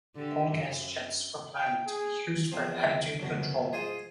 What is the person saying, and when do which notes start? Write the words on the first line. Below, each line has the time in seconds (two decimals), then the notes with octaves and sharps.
Cold gas jets were planned to be used for attitude control.
0.16 D3 G4 A4
0.51 F#2
1.55 G5
1.86 G#4
2.52 E2 F3 C4
3.19 A#1 F#2 B2
3.73 F4 G#4 C5 D#5